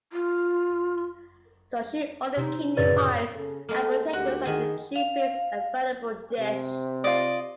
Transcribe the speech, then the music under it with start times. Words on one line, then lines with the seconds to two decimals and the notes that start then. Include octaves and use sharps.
So she ordered kidney-pies and potatoes as the cheapest available dish.
0.13 F4
2.36 C3 D#4
2.77 F#2 A2 C#3 B4 D5 A6
2.97 C#5 D#6 G6
3.35 C#3 A4
3.69 G#3 A#3 A4
4.13 D2 F#4 G4
4.45 D#3 G#4 G#5
4.96 F5
6.40 C3
7.04 F4 D5 D#5